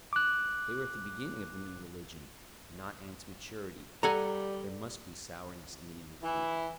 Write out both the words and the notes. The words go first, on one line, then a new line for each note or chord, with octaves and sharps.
They were at the beginning of the new religion, not in its maturity; there must be sourness in the young fruit. ...
D6 F#6
G3 A4 F#5 G#5 A#5
E3 E4